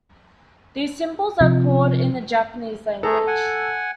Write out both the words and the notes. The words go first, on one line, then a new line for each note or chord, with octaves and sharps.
These symbols are called in the Japanese language.
C3 F3
A3 G#4 A4 A#5
F#5 G#5